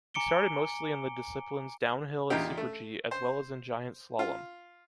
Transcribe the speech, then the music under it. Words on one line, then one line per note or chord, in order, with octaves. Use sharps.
He started mostly in the disciplines Downhill and Super-G as well as in Giant slalom.
G#5 A#5 D6 C#7 D7 G7
E2 A#2 D#4 G4
A3
C5
F4